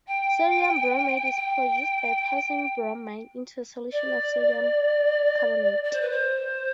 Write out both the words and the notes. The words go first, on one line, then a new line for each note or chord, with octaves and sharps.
Sodium bromate is produced by passing bromine into a solution of sodium carbonate.
G5
G5
D5
D5
C5
B4
C5